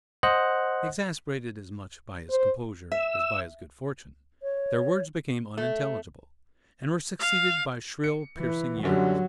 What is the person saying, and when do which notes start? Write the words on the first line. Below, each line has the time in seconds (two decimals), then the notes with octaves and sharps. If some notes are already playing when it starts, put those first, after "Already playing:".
Exasperated as much by his composure as by his good-fortune, their words became unintelligible, and were succeeded by shrill, piercing yells.
0.23 C5 D#5 F#5 F#6
2.30 C5
2.92 E5 E6
4.43 C#5
5.57 A3
7.19 F5
8.04 C#7
8.39 E3
8.83 F#2 D3 F#3 G3